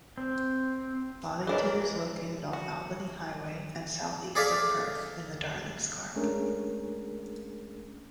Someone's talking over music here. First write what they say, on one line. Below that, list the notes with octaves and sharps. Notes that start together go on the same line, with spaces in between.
Boddington is located off Albany Highway and southeast of Perth in the Darling Scarp.
C4
E3 D4 G#4 A#4 C#5 D#5
F#4
G#4 A4 D5 E5 F5
G#3 A3 C#4 D4 G#4 A#4